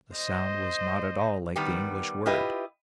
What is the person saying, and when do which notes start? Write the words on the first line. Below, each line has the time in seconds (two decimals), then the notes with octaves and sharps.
The sound was not at all like the English word.
0.15 C5 D#5
1.56 D#3 G3 B3 G4
2.26 E4 F4 G4 B4 D#5